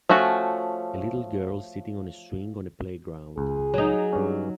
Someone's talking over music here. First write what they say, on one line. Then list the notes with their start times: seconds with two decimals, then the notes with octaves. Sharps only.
A little girl sitting on a swing on a playground.
0.09 F3 A3 C#4 F#4
3.38 C#2 G#4
3.74 F#3 D#4
4.13 G2 C#4